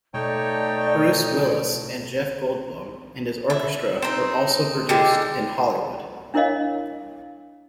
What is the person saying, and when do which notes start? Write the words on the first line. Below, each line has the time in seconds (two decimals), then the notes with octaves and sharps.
Bruce Willis and Jeff Goldblum and his orchestra were also produced in Hollywood.
0.14 B2 A3 D#4 C#5 D5 G5
3.50 E4
4.02 C4 D#4
4.89 D3 D#3 G#3 G4
6.34 D4 E4 A#4 C#5 D#5 F5